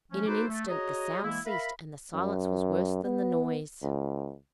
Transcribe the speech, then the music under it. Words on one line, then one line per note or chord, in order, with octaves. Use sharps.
In an instant the sound ceased and the silence was worse than the noise.
F3 F#3 A3 C#4
D#4 F#4 A4 B4 C5 D6
A3
F#4 G#4 C#5 D#5 A#5 D#6
E3 G#3 A#3 E4
A#4 E5 F5 B5
F#2
B3
C#2